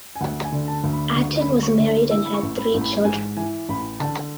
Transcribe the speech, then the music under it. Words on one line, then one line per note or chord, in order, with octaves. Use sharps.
Aten was married and had three children.
G#5
D2 F#5
G#5
D3
A5
D2
B5
D3 C#6
B5
D2
C#6
D3
E3 E6
B5
C#6
A1
B5
A1
B5
G#2 G#5
E3 G#5
A1 B5
D3 A5